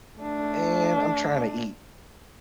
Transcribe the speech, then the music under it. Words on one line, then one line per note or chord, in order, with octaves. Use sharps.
"Man, I'm tryna eat
A3 D4